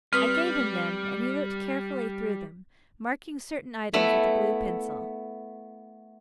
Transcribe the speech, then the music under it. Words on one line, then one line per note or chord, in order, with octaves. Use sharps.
I gave him them and he looked carefully through them, marking certain items with a blue pencil.
G3 C4 B4 D#6 F6
A3 B3 E4